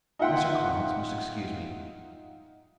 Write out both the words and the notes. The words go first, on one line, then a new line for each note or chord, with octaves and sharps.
Mr. Collins must excuse me.
D#4 F4 E5 F#5 G5 C6